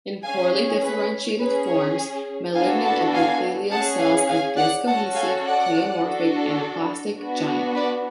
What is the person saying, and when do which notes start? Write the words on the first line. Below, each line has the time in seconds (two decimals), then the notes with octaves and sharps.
In poorly differentiated forms, malignant epithelial cells are discohesive, pleomorphic, anaplastic, giant.
0.24 C#4 G#4 F5 G#5
0.82 B4
1.40 C#4 G#4 B4
1.69 C#5
2.54 B3 D4 F#4 A4 F5 G#5
2.84 F#5 A5
3.13 F5 G#5
3.70 C#4 G#4 F#5 A5
3.99 F5 G#5
4.29 F5 G#5
4.56 D5 F#5
4.86 C#4 F#4 A4 F#5 A5
5.15 F5 G#5
5.43 D5 F#5
6.01 D4 F#4 A4
7.17 B3 D4 F#4
7.75 B4 D5